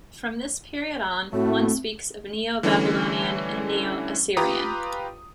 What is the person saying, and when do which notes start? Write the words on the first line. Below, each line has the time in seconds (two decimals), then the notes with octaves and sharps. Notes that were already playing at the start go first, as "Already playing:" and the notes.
From this period on, one speaks of Neo-Babylonian and Neo-Assyrian.
1.33 A2 A3 C4 F#4
2.63 D3 E3 G3 A3 C#4
4.37 F4 G4 B4 A#5 D6 D#6